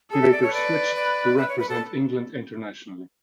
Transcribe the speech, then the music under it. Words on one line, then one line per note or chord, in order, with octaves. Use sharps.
He later switched to represent England internationally.
G#4 A4
E5
D5
C#5
B4 D5
D5
E5
C#5
B4
A4